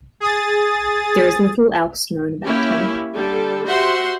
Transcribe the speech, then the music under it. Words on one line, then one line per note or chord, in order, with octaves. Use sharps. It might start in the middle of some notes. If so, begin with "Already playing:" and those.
There is little else known about him.
G#4 D#6 A6
A#3 C#4 E4 G4
D3 G3 A4
F#4 G4 C5 E5 F#5 C6